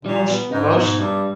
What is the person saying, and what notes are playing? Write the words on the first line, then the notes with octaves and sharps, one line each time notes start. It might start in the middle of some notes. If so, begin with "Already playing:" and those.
Most most
A#2 G3
B3
G#2 D#4
G#2 B2
G2 G3